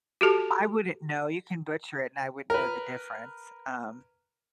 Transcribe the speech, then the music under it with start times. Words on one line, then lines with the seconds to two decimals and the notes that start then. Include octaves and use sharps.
I wouldn't know, you can butcher it, and I wouldn't know the difference, um
0.21 F#4 G4 A4 A5
2.50 A#4 B4